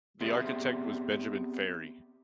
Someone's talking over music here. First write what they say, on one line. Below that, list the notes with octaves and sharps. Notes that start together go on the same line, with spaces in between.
The architect was Benjamin Ferrey.
B3 C4 G4 G#4 D5 E5